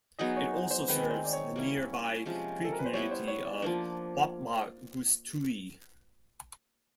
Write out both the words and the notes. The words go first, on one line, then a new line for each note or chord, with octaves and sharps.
It also serves the nearby Cree community of Whapmagoostui.
F#3 B3 D#4 G#4 D#5
C#5
C5
C5
D#3 G#3 C4 D#4 B4
C5
D5
C#5
G3 A#3 C#4 E4
C3 F3 G#3 C#4
A4
A#4
B4
C5
G3 B3 E4 C#5
C5
C#5
D5
F3 A#3 D4